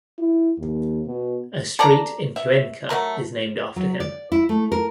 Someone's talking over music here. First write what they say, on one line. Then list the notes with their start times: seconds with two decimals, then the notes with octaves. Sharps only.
A street in Cuenca is named after him.
0.19 E4
0.58 D#2
1.06 B2
1.79 A4 D5 A#5
2.36 E5
2.89 F#3 A3 A#4 A#5
3.76 F#3
4.00 D5
4.32 E4
4.49 A3
4.72 A#4